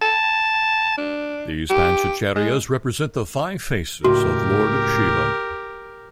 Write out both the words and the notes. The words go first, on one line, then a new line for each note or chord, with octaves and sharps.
These Panchacharyas represent the five faces of Lord Shiva.
A5
D4
G4
G#3
C#2 A2 F#4 G4 A#4